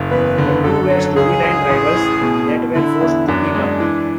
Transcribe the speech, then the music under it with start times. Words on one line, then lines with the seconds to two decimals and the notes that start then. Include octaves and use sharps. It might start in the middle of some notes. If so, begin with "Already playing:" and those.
The two were storyline rivals that were forced to team up.
Already playing: F#1
0.11 E2 B4
0.38 D3
0.64 F#2 A4
0.90 F#3
1.16 C#2 G#4
1.43 C#2
1.70 A1
1.95 A2
2.22 B2
2.48 B2
2.75 D3 E4
3.01 E2
3.27 F#2 D4
3.55 G#3
3.80 E3